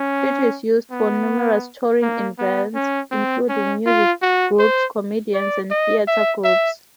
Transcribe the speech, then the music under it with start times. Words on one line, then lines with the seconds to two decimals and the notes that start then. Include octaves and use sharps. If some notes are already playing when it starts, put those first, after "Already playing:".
It is used for numerous touring events, including music groups, comedians and theatre groups.
Already playing: C#4
0.91 B3
2.02 A#3
2.39 B3
2.75 C#4
3.12 C4
3.49 C#4
3.86 F4
4.22 F#4
4.59 C5
5.34 D5
5.71 D#5
6.08 E5
6.44 E5